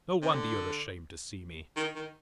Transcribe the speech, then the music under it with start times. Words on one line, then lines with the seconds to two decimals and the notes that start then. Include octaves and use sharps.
No wonder you are ashamed to see me.
0.22 C3
0.30 D3
1.77 D#3
1.95 D#3